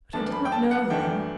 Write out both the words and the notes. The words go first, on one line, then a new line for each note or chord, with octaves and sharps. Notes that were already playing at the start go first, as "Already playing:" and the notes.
But I did not know then.
F#2 E3 A3 D4 A5
B5
G5
A5
F#5
F#2 E3 A3 D4 G5